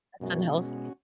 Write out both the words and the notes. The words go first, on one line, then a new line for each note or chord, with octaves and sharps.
That's unhealthy.
F#2 B2 G#3 C#4 F#4